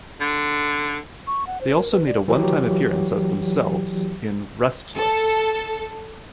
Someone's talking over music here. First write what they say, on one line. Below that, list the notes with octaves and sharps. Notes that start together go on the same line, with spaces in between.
They also made a one-time appearance as themselves in "Restless".
D3
C#6
F#5
C5
A#4
B4
D5
E3 F#3 G4
A4